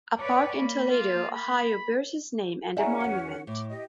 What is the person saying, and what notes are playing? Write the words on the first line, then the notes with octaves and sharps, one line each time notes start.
A park in Toledo, Ohio, bears his name and a monument.
B4 C#5 D5
A#3 B5
F4
B5
C#4 E4 G#4 D5 E5 F#5 G#5 A#5
E2 F#4 C#7
A2 D6
G4 D#5